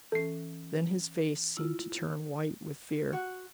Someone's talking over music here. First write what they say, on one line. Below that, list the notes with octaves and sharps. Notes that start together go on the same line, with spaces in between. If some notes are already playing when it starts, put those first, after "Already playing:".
Then his face seemed to turn white with fear.
E3 C#4 A4 C7
E4 F4
F#4